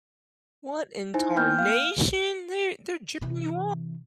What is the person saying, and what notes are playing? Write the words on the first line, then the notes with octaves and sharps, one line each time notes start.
What in tarnation? They're they're gypping you off.
D#4 E4 C5 G#5
A#3 B3 G5 F6 G6
F5 F6
C3 E3